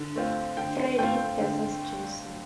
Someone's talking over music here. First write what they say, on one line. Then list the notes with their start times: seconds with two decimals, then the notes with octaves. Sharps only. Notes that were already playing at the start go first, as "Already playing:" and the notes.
"Freddy versus Jason".
Already playing: D3
0.16 A3 C4 F4
0.57 D3 G5
0.98 A3 C4 F4 G5
1.39 D3